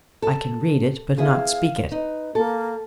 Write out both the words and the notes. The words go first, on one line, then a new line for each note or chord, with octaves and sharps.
"I can read it, but not speak it."
A4
B3 E4 G#4 F5
D#4 B4
A#3 A4